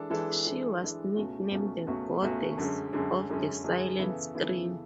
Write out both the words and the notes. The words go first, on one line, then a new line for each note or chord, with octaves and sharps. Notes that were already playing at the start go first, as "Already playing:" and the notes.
She was nicknamed "The Goddess of the Silent Screen".
Already playing: E3 G#3 D4 A4
E3 G#3 D4 A4
E3 G#3 D4 A4
E3 G#3 D4 A4
C#2 B2 A3 C#4 F#4
C#2 B2 A3 C#4 F#4
C#2 B2 A3 C#4 F#4
C#2 B2 A3 C#4 F#4
F#2 D3 G#3 C#4
F#2 D3 G#3 C#4
F#2 D3 G#3 C#4
F#2 D3 G#3 C#4
C#3 E3 B3 E4 A4
C#3 E3 B3 E4 A4
C#3